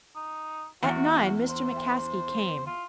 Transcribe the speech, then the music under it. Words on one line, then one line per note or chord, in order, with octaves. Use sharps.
At nine Mr. McCaskey came.
D#4
E2 F#4
C5
F4